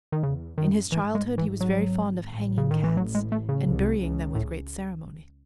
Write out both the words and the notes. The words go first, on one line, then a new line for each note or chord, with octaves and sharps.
In his childhood he was very fond of hanging cats, and burying them with great ceremony.
D#3
E2 C#3
F#2 D#3
G#1 G#2 E3
G#3
E3
F#3
A1 A2
C#3
D#3
E3
F#3
G#3
A3
C#3
C2 C3
C#2 C#3
A2